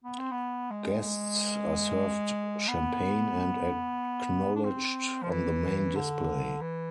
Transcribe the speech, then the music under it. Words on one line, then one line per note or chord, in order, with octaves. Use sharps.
Guests are served champagne and acknowledged on the main display.
B3
C4
B3
G#3
B3
D4
C4
F3
E3
D3
E3